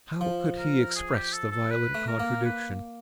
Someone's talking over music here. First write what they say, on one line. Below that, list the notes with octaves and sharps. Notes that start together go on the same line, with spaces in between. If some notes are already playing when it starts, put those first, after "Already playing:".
How could he express the violent contradiction?
F3
A#4
G#4
G4
A4
A4
B4
A3
A#4
A#3
B4